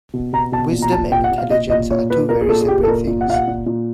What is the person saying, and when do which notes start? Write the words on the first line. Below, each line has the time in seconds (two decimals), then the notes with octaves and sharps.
Wisdom and intelligence are two very separate things.
0.14 B2
0.33 B2 A#5
0.52 B2 A5
0.72 A#2
0.82 A#5
0.92 A#2 A5
1.12 A#2 G5
1.24 F#5
1.31 A#2
1.38 F5
1.51 A#2 D#5
1.70 A#2 D#5
1.90 A#2 C#5
2.10 A#2 B4
2.29 A#2 A#4
2.41 G#4
2.48 A#2 A4
2.60 G#4
2.68 A#2 G4
2.83 A4
2.88 A#2 A#4
3.07 A#2
3.21 F#5
3.28 A#2 F5
3.34 F#5
3.47 A#2
3.66 A#2